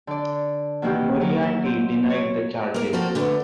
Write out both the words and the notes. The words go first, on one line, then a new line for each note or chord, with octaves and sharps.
Moriarty denied the charges.
D3 D5
B2 D#3 E3 A#3 E4 G4
F#3 A#4
E6
C5
C#5
A#3 A#4
F3 A#3 C4 F#4 A4 A#4
D3 A3 B3